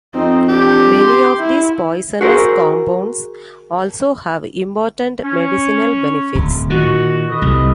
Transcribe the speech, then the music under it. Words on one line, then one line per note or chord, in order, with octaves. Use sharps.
Many of these poisonous compounds also have important medicinal benefits.
F2 C4 D#4
D4 G4
C6
E4
F#4 G#4 A#4 C5
C#4
D1
A#2 D#3 F#4
A4 B4 D#5
C2